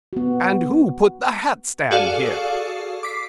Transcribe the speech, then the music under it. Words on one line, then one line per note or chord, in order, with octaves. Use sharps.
"And who put the hat-stand here?"
B3 F#4
F#4 G#4 A4 D5 F5
D6 B6 C7